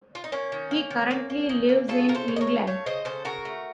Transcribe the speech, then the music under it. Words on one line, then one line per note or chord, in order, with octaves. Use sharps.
He currently lives in England.
F4
D#4
A#3 C#4
D#3
A#3
D#3
A#3
A#3
D#3
A#3
C#3 F4 A4
C#3 A#4
A4 C5
C#3
D#5
A#4 C#5
A3
A3 C#5 F5
C#3 C5 D#5
C#3 A4 C5
C#3 F#4 A#4
A3